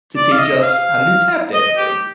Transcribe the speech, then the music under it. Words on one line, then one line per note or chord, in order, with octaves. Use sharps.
to teach us how to do tap dancing,
D5
F5
D#5
F5
D#5
G4